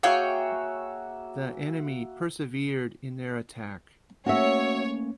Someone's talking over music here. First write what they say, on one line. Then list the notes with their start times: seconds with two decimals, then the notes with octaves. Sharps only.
The enemy persevered in their attack.
0.03 A#3 F#4 G#4 C#5 E5 F5 G5
4.26 A3 A#3 C#4 F#4 C#5 E5